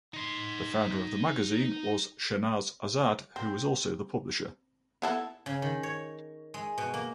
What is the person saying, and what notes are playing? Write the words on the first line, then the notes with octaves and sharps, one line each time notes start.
The founder of the magazine was Shahnaz Azad who was also the publisher.
D#4 C6
C4
B3 E4 A4
C#3
D#3
C#5
G#3
B2
A#3